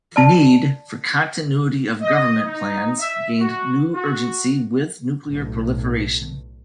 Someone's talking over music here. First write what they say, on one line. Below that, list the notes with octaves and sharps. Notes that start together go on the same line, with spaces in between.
The need for continuity-of-government plans gained new urgency with nuclear proliferation.
D5 A5
D#5
D#4
E5
F#4
F#4
B1 A2